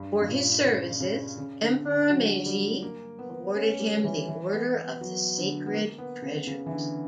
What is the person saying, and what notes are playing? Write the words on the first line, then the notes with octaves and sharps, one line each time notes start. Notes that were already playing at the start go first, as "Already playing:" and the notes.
For his services, Emperor Meiji awarded him the Order of the Sacred Treasures.
Already playing: G2
G2
A#2
C#3
C#3
C#3
D3
D3
F#3
G3
A#3
B3
C#4
G3
E3
E3
B3
B3
F#3
D3
B3
A#3
B3
C#3
C#3
E3
D3